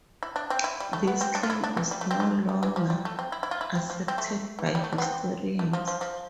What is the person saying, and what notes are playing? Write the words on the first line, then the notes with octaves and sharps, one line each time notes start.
This claim is no longer accepted by historians.
E4
D4
C4
E4
G3
A3
B3
C4
D4
F4
E4
D4
E3
G3
A3
C4
A3
G3
E3
F3
G3
A3
C4
E4
E4
F4
E4
C4
F3
C4
A3
E3
F3
G3
A3
D4
B3
C4
A3
F3
F3
F3